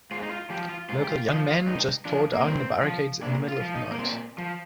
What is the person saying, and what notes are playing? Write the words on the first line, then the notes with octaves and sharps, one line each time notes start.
Local young men just tore down the barricades in the middle of the night.
G#2 F4
D#4
F4
F3 G4
F4
G#2 F4
G4
F4
F3 D#4
F4
G2 D#4
F3 D4
A#3
G2 C4
F3
A#2 D4
F4
F3
D#4
A#3
A#2 C4
F3